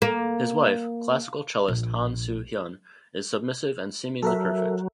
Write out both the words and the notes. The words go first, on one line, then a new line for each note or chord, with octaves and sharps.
His wife, classical cellist Han Soo-hyun, is submissive and seemingly perfect.
A#3
A#1
F#3 A4 A#4 E5